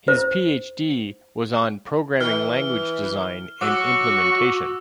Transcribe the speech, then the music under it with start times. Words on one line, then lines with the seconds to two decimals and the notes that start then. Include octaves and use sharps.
His PhD was on programming language design and implementation.
0.08 C5
2.21 E3 F6
3.61 F#3 F#4 C#6 D6 E6